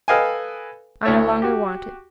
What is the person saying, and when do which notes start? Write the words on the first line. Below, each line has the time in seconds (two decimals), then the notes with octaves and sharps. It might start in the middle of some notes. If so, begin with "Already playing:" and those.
I no longer want it.
0.08 A4 B4 D#5 F5 G5 G#5
1.05 D2 E4 C#5 E6
1.42 F#4 G4